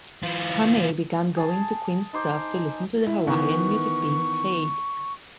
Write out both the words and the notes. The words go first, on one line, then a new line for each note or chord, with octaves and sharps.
Kamae began going to Queen's Surf to listen to the Hawaiian music being played.
E3 F4
G#4 A5
D#4 C5 D6
E4
D#3 E3 B3 C#6